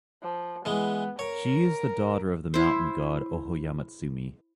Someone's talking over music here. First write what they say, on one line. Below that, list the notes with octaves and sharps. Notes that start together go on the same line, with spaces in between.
She is the daughter of the mountain god Ohoyamatsumi.
F3
E3 G#3 B3
A#4 C#5
E4 C5